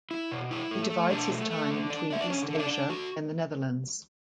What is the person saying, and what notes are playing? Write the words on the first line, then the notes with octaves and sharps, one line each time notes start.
He divides his time between East Asia and the Netherlands.
E4
B2
E4
A3
A3
B2 D4 D5
A3
A3
D3
D4
D4 E5
D5
D3 C#4 C#5
D3 E5
D4 D5
D4
D3 F#4